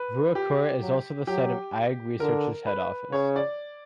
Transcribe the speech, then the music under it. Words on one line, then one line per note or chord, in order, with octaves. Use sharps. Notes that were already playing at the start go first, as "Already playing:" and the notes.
Ruakura is also the site of AgResearch's head office.
Already playing: B4
G4
F#3
F#3 G4
D3 A#4
B4
C#3 C#5
D5